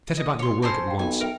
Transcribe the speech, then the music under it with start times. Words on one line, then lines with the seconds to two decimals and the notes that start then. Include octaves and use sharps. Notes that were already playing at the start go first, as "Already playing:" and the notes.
'Set about your work at once.
0.17 D#5
0.39 C#5 C6
0.62 C4 C#4 C5 D5 A5 B5
0.87 F5 G5
0.99 B1 G5 G#5
1.20 A#4 E5 G5